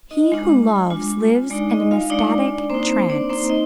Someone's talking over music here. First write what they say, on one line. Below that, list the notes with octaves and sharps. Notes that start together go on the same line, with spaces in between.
He who loves lives in an ecstatic trance.
D#4 D#5
G#3 D4 F4
G#3 D4 F4
G#3 D4 D#4 D5
D#4 D#5
F4 F5
G#3 D4 D#4 D5
A#3 C4 D#4 C5
C4 C5
D4 D5
A#3 C4 D#4 C5
D#4 D#5